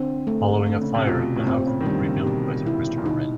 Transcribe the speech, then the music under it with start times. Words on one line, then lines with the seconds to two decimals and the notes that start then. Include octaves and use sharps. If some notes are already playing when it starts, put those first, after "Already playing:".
Following a fire, the house was rebuilt by Sir Christopher Wren.
Already playing: D3 C4
0.27 A3
0.66 D3 A3
0.81 C#3
0.94 C3
1.07 B2 F4
1.36 A2
1.47 A#2 C4
1.66 C#3
1.81 D#3
1.86 D3 G3
2.07 C3
2.26 B2 G4
2.67 E4
2.98 A#2
3.06 B2 D#4